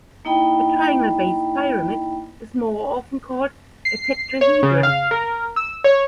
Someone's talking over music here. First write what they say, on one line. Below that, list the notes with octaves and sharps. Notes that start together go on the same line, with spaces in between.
A triangle-based pyramid is more often called a tetrahedron.
A#3 D#4 E4 D#5 G5 B5
C7
C#5
C#3
F5
A#4
E6
C#5